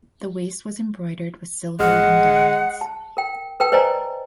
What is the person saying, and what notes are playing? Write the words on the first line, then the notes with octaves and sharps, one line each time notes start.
The waist was embroidered with silver and diamonds.
A1 G#3 F#5 F6
A5
A#4 G5
A#4 B4 G5 A5
B4 C5 D5 D#5 G#5 A#5